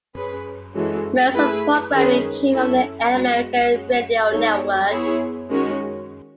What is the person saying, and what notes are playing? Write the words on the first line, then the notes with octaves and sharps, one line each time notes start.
Most of the programming came from the Air America Radio Network.
C#4 G#4 B4
E3 G#3 C#4 F#4 A4
A3 E4 G#4 B4
D#3 G#3 C#4 G#4 B4
C#4 E4 A4
G#3 B3 F#4
G#3 C#4 F#4
G#3 B3 D#4 A4 C#5
B3 E4 G#4 C#5
D#3 G#3 C#4 F#4 C#5